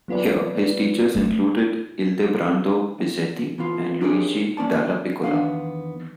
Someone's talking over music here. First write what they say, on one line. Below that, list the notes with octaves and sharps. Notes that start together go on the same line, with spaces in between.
Here his teachers included Ildebrando Pizzetti and Luigi Dallapiccola.
F#3 B3 F4 B4 D5
A3 D#4
E3 B3 F4
D4 D#4 G4 G#4 A#4 C#5
A#3 C#4 D5 A5
E2 D#3 B3 D4 F5